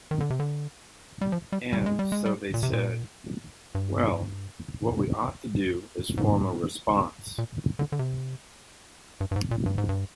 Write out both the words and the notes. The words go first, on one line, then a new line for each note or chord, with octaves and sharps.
And, so, they said, 'Well, what we ought to do is form a response.
D#3
D3
C3
D3
G3
F3
G3
G3
G#3
G3
G#3
G3
A#2
C3
A#2
G2
G#2
A#2
D3
D3
C3
G2
G2
G#2
A#2
G2
G#2
G2